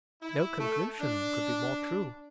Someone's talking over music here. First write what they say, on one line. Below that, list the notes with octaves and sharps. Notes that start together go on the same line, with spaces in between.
No conclusion could be more true.'
E4
A3
D4